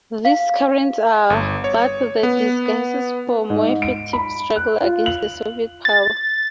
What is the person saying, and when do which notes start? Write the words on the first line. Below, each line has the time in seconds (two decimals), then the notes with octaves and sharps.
These currents are but the disguises for more effective struggle against the Soviet power.
0.25 F5
1.30 G1
1.64 C#5
2.23 B3
3.50 G#2
3.82 D7
4.13 B5
4.56 F#6
4.81 F4
5.06 F#7
5.85 A6